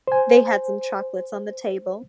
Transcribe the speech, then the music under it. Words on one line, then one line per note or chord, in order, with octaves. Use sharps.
They had some chocolates on the table.
C5 G#5